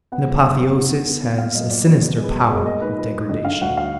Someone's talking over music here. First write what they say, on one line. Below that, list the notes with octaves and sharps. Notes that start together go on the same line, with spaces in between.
An apotheosis has a sinister power of degradation.
B3 F#5
F3
F#2
B3
G#2
B3
B3
B3
A#2 F5
F#3 D#5
A#2 D5
F#3 B4
B2 D5
G#3
B4
B2
D5
G#3
A#3 D#5
G#2 B4
F3 B4
G#2
D3 D#5
D3 F5
D2 F#5
F5